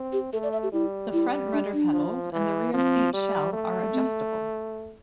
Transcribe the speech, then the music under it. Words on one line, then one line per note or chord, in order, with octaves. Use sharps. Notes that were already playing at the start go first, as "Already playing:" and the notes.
The front rudder pedals and the rear seat shell are adjustable.
Already playing: C4
G4
A3 A4
D5
E5
G4
G3 E4
E4
D4
D4
F3
E3
F3 C4
G3
A3
C4